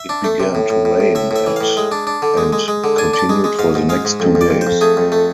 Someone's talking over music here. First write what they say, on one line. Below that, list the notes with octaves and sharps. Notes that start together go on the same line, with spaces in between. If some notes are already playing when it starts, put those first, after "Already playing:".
It began to rain at and continued for the next two days.
Already playing: E5
D4
A3
C3
A2
A2
A2
A2
A2 E5
A2 E5
E3
A2 F5
G#3
D4
D4
D3
G#3
G#3
G#3
D3
D4 G#5
D4
A5
G#3
G#3
G#2 F5
G#2
G#3 F5
G#2
F2
F2
D5
F2
C5
F2
A3 G#4
F2
A3